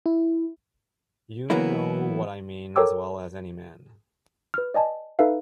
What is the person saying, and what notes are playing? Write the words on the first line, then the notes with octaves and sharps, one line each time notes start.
You know what I mean as well as any man.
E4
E3 F#3 A#3 B3 E4
A4 A#4 C#5 G5 D6 E6
B4 F6
D5 D#5 G#5 A5
D#4 A4 B4 E5 F5